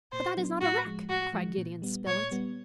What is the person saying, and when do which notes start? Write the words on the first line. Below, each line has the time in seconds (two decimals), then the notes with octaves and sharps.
"But that is not a wreck!" cried Gideon Spilett.
0.12 A#2 C5
0.37 F#3 B3 D4
0.61 A2 F#4
0.85 F3 G#3
1.09 A2 F#4
1.33 F3 G#3
1.58 A#2
1.82 G3 B3
2.07 A#2 C#5
2.31 G3 B3